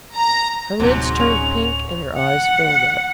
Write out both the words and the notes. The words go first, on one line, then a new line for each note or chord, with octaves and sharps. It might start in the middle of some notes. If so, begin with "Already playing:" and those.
Her lids turned pink and her eyes filled up.
A#5
D1 G#2 C3 F#3
C#4 F7
F#5